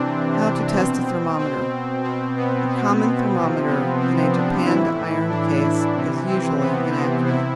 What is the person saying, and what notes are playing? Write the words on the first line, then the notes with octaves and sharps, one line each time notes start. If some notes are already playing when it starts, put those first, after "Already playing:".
How to Test a Thermometer.--The common thermometer in a japanned iron case is usually inaccurate.
Already playing: C3 E3 C4 D4
D4
B2 C4
C4
B2 C4
B3
C4
C3 F3
B3
C4
D4
A2 E3 E4
D4
C3 E3
C4
B3
C4
C3 E4